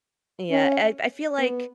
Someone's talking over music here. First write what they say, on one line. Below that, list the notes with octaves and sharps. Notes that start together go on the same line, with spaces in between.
Yeah, I I feel like
C#4
B3